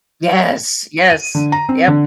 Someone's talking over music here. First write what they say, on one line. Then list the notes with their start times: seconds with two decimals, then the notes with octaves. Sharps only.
Yes, yes, yep.
1.10 D#7
1.35 D3
1.52 A#5
1.69 C4
1.88 D3